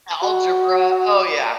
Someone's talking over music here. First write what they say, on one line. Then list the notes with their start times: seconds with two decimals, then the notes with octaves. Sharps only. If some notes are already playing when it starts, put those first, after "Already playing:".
Algebra, oh yeah,
0.22 F#4